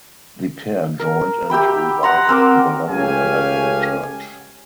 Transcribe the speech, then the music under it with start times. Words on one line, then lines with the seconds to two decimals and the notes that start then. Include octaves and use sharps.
The pair joined and revived the London Underground Church.
1.00 A#4
1.50 G4 E5 G5 B5
2.03 F#5 A#5 C6
2.29 C4 A#4 D6
2.88 C#2 A3 C#4 G4 F5 G#5